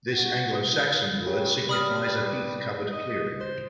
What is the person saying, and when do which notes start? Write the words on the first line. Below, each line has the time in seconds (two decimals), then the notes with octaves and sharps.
This Anglo-Saxon word signifies a heath-covered clearing.
0.13 F#4
0.64 B4
1.27 C#3 G4
1.69 G3 B5 D#6 F6
2.92 D#5
3.40 C5